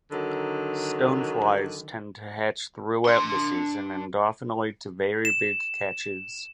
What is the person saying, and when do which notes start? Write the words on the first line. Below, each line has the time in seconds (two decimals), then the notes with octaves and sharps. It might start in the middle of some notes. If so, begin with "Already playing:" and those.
Stoneflies tend to hatch throughout the season, and often lead to very big catches.
0.11 D3 D#3 F#3
3.06 D4 C6
5.25 E7